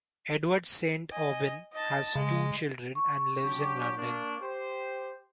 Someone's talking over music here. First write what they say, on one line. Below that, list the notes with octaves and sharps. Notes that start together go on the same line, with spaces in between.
Edward Saint Aubyn has two children, and lives in London.
D#5 G#5
D#5 A5
C#3 G#3
C#6
F#3 D4 G4
A#3 D4
G4 C5